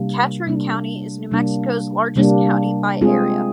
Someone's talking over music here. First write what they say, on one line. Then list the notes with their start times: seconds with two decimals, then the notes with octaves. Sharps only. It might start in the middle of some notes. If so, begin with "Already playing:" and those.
Catron County is New Mexico's largest county by area.
Already playing: C3 G3 A#3 D4
0.46 C3 G3 A#3 D4
1.31 C3 G3 A#3 D4
2.16 C3 G3 A#3 D4
3.01 G#3 C4 F4 G#4